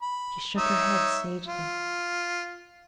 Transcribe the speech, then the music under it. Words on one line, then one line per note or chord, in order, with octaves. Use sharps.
She shook her head sagely.
B5
D#4 C#5 E5
F4